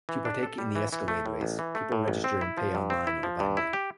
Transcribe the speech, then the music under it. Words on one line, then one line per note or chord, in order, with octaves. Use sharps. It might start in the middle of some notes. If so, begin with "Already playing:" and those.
To partake in the Escalade race, people register and pay online or by mail.
E3
D4
A4
G3
E3
E3
A3
A2
A1
E3
A3
A2
A1
C4
E4
F3
G2
C4
E4
F3
G2
E4
G4